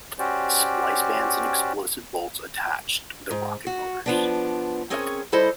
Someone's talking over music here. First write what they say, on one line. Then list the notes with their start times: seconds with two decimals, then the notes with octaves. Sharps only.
Splice bands and explosive bolts attached the rocket motors.
0.19 C#4 F#4 G4 C5 D5
3.31 G#2
3.67 F#4
4.06 F3 B3 D4
4.90 C4 C#4 G#4 A#4 C#5
5.32 G3 E4 A4 C5 D#5